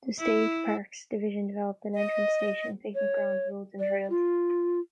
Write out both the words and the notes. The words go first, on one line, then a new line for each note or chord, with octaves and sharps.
The state parks division developed an entrance station, picnic grounds, roads, and trails.
E4
D#5
C#5
D5
F4